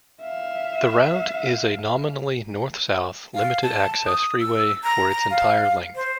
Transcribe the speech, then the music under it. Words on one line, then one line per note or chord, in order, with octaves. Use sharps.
The route is a nominally north-south limited-access freeway for its entire length.
E5 F5
F5
A5
D#6
E6
A#5
A#5
F5
C5